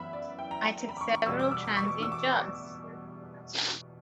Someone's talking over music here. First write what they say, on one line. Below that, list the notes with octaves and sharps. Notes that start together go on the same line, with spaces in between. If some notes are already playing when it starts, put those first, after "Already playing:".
I took several transient jobs.
Already playing: F#2 E3 B3 E5 B5
D5
G5
A#5
B5
D6
C#6
C#6
E2 B2 G3 B3 E6
D6
E6
D6
C#6
D6
E6
D6